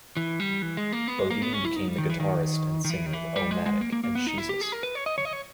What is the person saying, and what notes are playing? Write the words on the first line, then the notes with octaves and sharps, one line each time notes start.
Bodine became the guitarist and singer of O-matic and Shesus.
E3
G3
E3
G#3
A#3
B3
G#3
A#3
B3
C#4
E4
D#4
G3
D#3
E3
D#3
D#3
E3
D#3
E3
G3
G#3
G#3
A#3
A#3
A#3
B3
D#4
E4
G4
G#4
A#4
B4
C#5
D#5
C#5
D#5
C#5